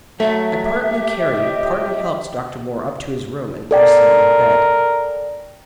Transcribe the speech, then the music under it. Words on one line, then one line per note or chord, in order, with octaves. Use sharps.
I partly carried, partly helped Dr. Moore up to his room and placed him on the bed.
F#3 A3 E5
G4
F2 A2 D#5
A4 A#4 D5 G5